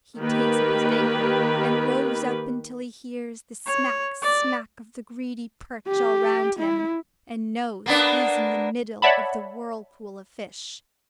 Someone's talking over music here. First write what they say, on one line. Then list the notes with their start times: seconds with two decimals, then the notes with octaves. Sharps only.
He takes up his anchor, and rows up until he hears the smack, smack of the greedy perch all round him, and knows he is in the middle of the whirlpool of fish.
0.18 D#3 A#3 G4 B4
3.66 C#5
4.22 D5
5.88 G4
6.60 E4
7.86 A#3 B3 D4
9.02 C#5 D5 E5 F#5 A5 B5